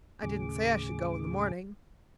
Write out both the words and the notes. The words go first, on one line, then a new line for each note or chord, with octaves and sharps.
I didn't say I should go in the morning....
D#2 A2 C#3 G#4 D6